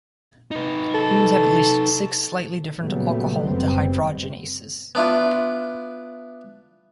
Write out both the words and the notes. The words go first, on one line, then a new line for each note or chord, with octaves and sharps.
Humans have at least six slightly different alcohol dehydrogenases.
D#4 B4
A4
A#2 C#3 F#3 G3 A3 B3
F#1 G3 B3 C4
B3 D4 E4 F4